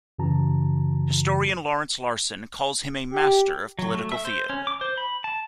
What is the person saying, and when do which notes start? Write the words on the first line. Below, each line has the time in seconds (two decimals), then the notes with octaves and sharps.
Historian Lawrence Larsen calls him "a master of "political theater.
0.19 F#2 C#3 E3 F#4 A5 A#5
3.12 G4
3.79 F#3
3.94 A3
4.12 E5
4.25 C5
4.50 C#4
4.67 D6
4.81 C5
4.97 B5
5.24 A5